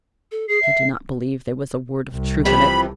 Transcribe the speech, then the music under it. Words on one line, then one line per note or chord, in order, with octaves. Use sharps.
I do not believe there was a word of truth in it.
A4
G#4 C7
E5
C2
C3 E3 F3 B5